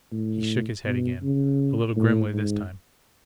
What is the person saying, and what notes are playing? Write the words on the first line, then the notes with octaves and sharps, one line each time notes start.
He shook his head again--a little grimly this time.
A2
B2
C#3
A2
G#2